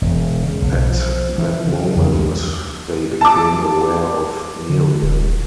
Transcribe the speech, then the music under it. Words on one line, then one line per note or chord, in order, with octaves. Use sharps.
At that moment they became aware of Miriam.
E1
C#3
B1
F3
E3
C#3
E2
D2
A5 D6
D3
D#1